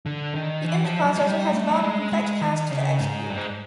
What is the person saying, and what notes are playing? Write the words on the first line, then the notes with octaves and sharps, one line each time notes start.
The image processor has a lot of complex tasks to execute.
D3
D#3
E3
F3
F#3
G#3
G3
A3
G3
G#3
G#3
D#3
C#3
G#2
G2
G#2